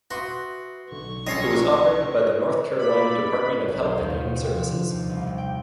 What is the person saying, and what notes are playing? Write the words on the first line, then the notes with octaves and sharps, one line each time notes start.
It was operated by the North Carolina Department of Health and Human Services.
F#4 B4 E5 C6 D#6
B1 D3 C#6
A#1 C#4 A4 C#5 D#5 C7
A3 A#3 A4 D5 B5
B1
C5
D#2
B2
C3
F3
D3
D#2
C2
C3
G5